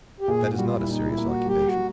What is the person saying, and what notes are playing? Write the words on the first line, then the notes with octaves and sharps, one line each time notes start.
That is not a serious occupation.
G4
A#2 G#4
G3 F#4
F4
E4
A#2 D#4
E4
A#3
F#4
G3 G4
F#4
G3